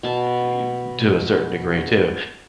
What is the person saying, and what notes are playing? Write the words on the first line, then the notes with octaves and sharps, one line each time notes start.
eh, to a certain degree too,
B2 A5